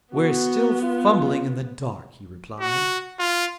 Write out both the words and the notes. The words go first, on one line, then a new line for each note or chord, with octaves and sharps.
"We're still fumbling in the dark," he replied.
B3 F#4
F4
F#4
F4